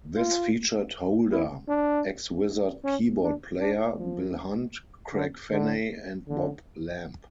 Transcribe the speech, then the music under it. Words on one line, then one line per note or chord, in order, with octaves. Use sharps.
This featured Holder, ex-Wizzard keyboard player, Bill Hunt, Craig Fenney and Bob Lamb.
F4
E4
D4
C#4
D4
D4
F3
D3
D3
D3